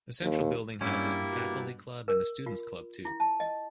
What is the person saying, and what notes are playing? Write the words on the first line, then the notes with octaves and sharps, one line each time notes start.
The central building houses the Faculty Club and the Students' Club, too.
D#2
G2 G3 A#3 C#4 E4
B2
A#4
F4
E4
A5
D#5